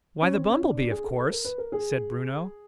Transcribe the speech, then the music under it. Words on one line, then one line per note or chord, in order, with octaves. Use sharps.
"Why the bumble-bee, of course!" said Bruno.
C#4
C4
C#4
D4
D4
G#4
A4
A4
A#4
B4
A#4
G#4